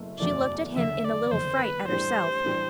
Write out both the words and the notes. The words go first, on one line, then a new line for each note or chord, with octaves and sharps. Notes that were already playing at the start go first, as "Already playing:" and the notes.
She looked at him in a little fright at herself.
Already playing: F#1 B2 A3 E4
F#1 E2 B2 A3 E4 D5
F#1 E2 D3 E5
D5
F#1 E2 D3 C5
B4
A2 E3 G3 D4 G4 C5
A2 E3 G3 D4 G4